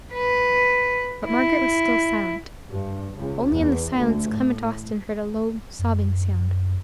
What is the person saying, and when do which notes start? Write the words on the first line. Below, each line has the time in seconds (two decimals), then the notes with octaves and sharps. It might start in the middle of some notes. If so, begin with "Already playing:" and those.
But Margaret was still silent, only in the silence Clement Austin heard a low, sobbing sound.
0.13 B4
1.26 E4
2.70 G2
3.15 C#2
3.51 E2
3.92 D2
4.28 A2
5.79 F#2